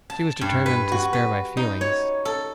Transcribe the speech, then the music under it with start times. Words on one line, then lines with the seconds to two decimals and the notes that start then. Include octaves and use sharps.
She was determined to spare my feelings.
0.10 A5
0.41 G2
0.66 B4
0.92 F#4
1.13 B4
1.57 D#4
1.81 C#5
2.25 A4